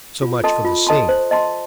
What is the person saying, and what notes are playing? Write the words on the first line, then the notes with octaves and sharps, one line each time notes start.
So much for the scene.
F4
A4 D#5 A5 C6
F4
A4 D#5 A5 C6
C5
D#5 A5 C6